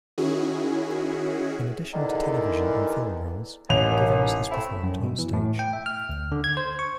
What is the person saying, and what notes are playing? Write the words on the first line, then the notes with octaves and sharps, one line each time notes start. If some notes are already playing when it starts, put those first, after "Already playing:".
In addition to television and film roles, Givens has performed onstage.
D#3 C#4 E4 F#4 G#4
E2 D3 D#3
A1 D#2 F7
A3 C4 E4
F#2
B2
E3
A2
G5
E5
F6
D2
D3
G#6
C5
C#6